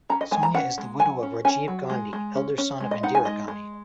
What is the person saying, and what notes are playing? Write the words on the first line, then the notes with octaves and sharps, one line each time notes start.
Sonia is the widow of Rajiv Gandhi, elder son of Indira Gandhi.
C#4 A#5
D#5
G#3 G#5
A#5
C#4 F#5
G#3
F#3 G#5
C#4
C#4 G#5
F#3
G#3
G#3
C#4
C#4
G#3
D#5
D#4 F#5
G#5
G#3 D#5
G#3